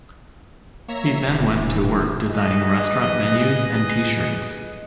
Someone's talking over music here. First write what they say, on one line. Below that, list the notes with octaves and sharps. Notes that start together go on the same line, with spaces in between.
He then went to work designing restaurant menus and t-shirts.
A#3 C#5 E5 A#5
D#1 E3
G#4 B4 D#5